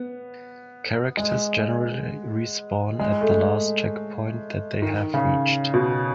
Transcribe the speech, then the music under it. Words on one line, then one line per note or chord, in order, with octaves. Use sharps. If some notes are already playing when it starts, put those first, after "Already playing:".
Characters generally respawn at the last checkpoint that they have reached.
Already playing: B3
G#3
G#3
A3
G#3
D#3
C#3
B2